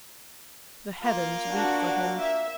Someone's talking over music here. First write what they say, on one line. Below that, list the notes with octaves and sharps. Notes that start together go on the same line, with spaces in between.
The heavens weep for him.
A#3 F4
D4 F#4
E5